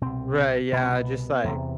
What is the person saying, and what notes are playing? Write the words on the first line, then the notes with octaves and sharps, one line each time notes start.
Right, yeah, just like
C2 B2 C4
C2 B2 B3
C4
B3
E2 C3